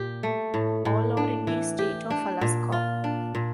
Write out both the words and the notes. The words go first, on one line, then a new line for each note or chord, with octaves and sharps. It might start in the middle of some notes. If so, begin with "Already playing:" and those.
All are in the state of Alaska.
Already playing: A#2 G4
A3
A2
A2
D4
E3
G4
D4
A#2
F4
D4
A#2